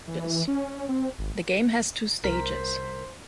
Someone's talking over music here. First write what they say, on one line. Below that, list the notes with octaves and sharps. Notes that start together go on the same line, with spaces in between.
The game has two stages.
E3
C#4
C4
G#1
C2 A#4 C5 B6